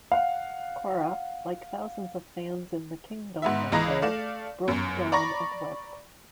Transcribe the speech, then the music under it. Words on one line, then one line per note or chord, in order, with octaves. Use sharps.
Cora, like thousands of fans in the Kingdome that day, broke down and wept.
F5 F#5
G#2 B3 E5
C#2 E3 D#5 A#5 A#6
A3 D5 F5 E7
G1 F#2
D5 A#5 B5 C#6 A#6